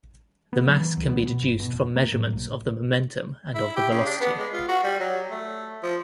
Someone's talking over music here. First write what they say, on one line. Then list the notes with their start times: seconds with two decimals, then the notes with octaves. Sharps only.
The mass can be deduced from measurements of the momentum and of the velocity.
0.53 B3
0.68 F#3
0.80 E3
0.97 C#2
1.09 B3
1.26 B2
1.42 G1
1.60 B2
1.72 F1
1.96 A#3
2.12 A2
2.33 B1
3.55 E4
3.76 G4
3.91 C#3
4.06 D4
4.21 B3
4.38 G#3
4.53 F4
4.69 F#4
4.84 G3
5.00 F#3
5.31 A3
5.83 F3